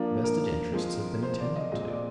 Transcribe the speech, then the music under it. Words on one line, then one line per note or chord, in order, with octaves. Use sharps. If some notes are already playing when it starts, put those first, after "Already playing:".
Vested interests have been attended to.
Already playing: F3 A#3 D4
A#4
F3 G#3 C4
C5
D5
D#5
A#2 G#3 C4 D#5
D5